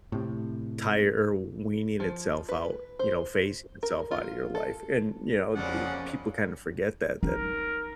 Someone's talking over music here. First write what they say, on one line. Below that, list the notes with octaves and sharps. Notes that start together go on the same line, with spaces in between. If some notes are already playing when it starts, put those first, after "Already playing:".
tire or weaning itself out, you know, phasing itself out of your life. And, you know, eh, people kinda forget that that
A2 C3
F3
B4
C5
A#4
F4
A4
F2 C#3 F3 G3 A#3 C#4 D5 F#5
D#4 A#4